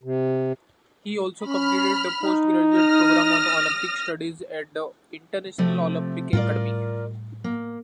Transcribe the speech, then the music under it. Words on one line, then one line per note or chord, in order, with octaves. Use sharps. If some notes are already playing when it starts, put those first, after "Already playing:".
He also completed the postgraduate programme on Olympic Studies at the International Olympic Academy.
C3
C#4 B5 F6
D#4
D#6 F6 A#6
C3 F3 A3
A2 G3 F4 A#4 D5
A#3